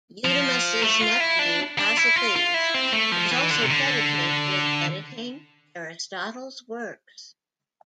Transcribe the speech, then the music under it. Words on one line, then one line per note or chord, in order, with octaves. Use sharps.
Eudemus' nephew, Pasicles, was also credited with editing Aristotle's works.
F3
A3
F4
E4
D4
D4
E4
F4
F4
E4
C4
A3
F3
E3
D3
C3
D3